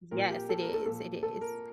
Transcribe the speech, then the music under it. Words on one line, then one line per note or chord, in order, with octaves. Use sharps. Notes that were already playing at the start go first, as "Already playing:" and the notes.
Yes, it is, it is.
A#2 F3 A#4
G4
A4
A#4
A4
A#2 F3 A4
A4
A#4